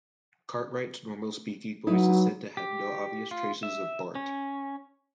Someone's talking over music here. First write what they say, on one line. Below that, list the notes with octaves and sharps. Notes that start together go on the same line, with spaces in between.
Cartwright's normal speaking voice is said to have "no obvious traces of Bart".
F#3 D#4 E4 B4
G4
F4
E5
C#4